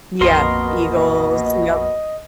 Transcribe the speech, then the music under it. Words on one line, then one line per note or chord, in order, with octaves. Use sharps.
Yeah, Eagles, yup.
A#1 F2 B2 A#3 A#4 D#5 C6